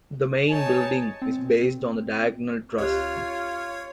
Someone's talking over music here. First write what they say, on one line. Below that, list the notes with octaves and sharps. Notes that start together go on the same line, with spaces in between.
The main building is based on the diagonal truss.
D#4 G#4 C#5 G#5 A5
C4
D2 F4 G4 C#5 F#6